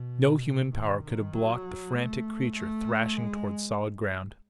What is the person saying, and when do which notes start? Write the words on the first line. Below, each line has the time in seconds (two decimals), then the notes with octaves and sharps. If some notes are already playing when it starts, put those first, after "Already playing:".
No human power could have blocked the frantic creature thrashing toward solid ground.
Already playing: B2
0.72 D#3
1.03 D#3
1.33 F#3
1.95 A3
2.55 A3
3.17 G#3